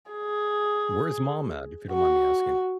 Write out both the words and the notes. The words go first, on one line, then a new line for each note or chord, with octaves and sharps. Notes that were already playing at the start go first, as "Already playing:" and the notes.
Where's mom at? If you don't mind me asking.
G#4
F#4